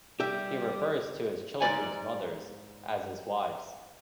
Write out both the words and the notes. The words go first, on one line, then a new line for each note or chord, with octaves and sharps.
He refers to his children's mothers as his wives.
G3 G4 E5
G#2 A#3 D5 G#5